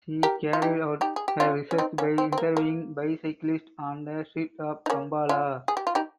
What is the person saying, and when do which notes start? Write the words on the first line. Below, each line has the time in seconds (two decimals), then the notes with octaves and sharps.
She carried out her research by interviewing bicyclists on the streets of Kampala.
0.23 G4 A#4
0.53 F4
0.62 D#4 G4
1.01 D#4 G4
1.16 G#4
1.28 G4
1.40 C#4 F4
1.71 C#4
1.78 C4 D#4
1.98 A#3 C#4
2.18 C4
2.32 C4
2.38 A#3
2.57 A#3
4.86 D#4
4.90 A#3 C#4
5.29 C#4 F4
5.68 G#4
5.77 G4
5.87 F4
5.95 D#4 G4